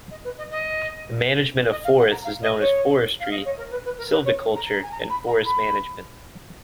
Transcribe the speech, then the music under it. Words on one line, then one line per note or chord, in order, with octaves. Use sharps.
The management of forests is known as forestry, silviculture, and forest management.
D#5
B4
D#5
D#5
D#5
F5
F#5
A#5
F5
D#5
C#5
F5
D#5
C#5
A#4
B4
B4
A#4
B4
C#5
A#5
A#5
G#5
A#5
B5
A#5
B5